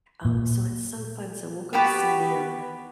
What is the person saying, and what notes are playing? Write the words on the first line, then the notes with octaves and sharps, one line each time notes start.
Um, so it's so fun, so we'll go see them,
A#2
B3 F#4 G4 B4